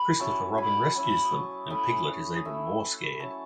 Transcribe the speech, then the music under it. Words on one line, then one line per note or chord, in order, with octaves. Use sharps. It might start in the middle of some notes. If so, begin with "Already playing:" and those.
Christopher Robin rescues them and Piglet is even more scared.
Already playing: G#3 B3 B5
F#3 C#4 E4 A5 C#6
G#5 B5
F#3 C#4 E4 G#5 B5
D#6
A5 C#6
A3 C#4 E4 B5 D#6
D#6
A3 C#4 E4 C#6 E6
F#3 C#4 E4 A5 C#6